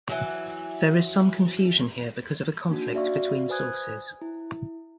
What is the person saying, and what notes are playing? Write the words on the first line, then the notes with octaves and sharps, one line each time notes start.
There is some confusion here because of a conflict between sources.
E3 F#3
A#3 D4 D#4 F#4
F#4 D5 E5 F5 C#6
B4 C5 G#5 D#6 F#6 G#6
E4